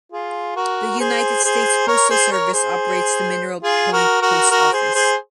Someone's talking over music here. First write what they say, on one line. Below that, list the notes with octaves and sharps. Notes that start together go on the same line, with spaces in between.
The United States Postal Service operates the Mineral Point Post Office.
F4 G#4
F#4 A#4
G#4 C5
G#4 C5
A#4 C#5
G#4 C5
A#4 C#5
G#4 C5
F4 G#4
F#4 A#4
F#4 A#4
F#4 A#4
G#4 C5
G#4 C5